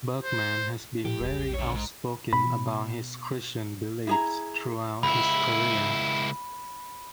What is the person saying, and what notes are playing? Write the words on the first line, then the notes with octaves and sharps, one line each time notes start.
Berkman has been very outspoken about his Christian beliefs throughout his career.
C5
A#2 F3 A3 G4
E1 B1 E2 G3
A#1
D3 C#5
G#2
B2 B5
E4 G#4 A#5
C#2 E4 B5